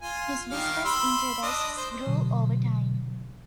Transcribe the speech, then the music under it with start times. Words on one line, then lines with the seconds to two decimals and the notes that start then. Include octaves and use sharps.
His business interests grew over time.
0.02 F4 G#5
0.50 D#3 G3 F5
0.85 B5 C6 E6
1.42 D4 D#5
1.77 C5
2.07 B2 D3 F#3